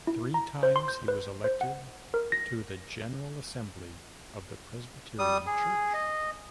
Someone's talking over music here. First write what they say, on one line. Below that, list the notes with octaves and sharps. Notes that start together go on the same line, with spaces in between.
Three times he was elected to the General Assembly of the Presbyterian Church.
E4
A#5
C5
C6
G6
B4
C5
F#5
A#4
A#6
G3 D#6
G#4
D#5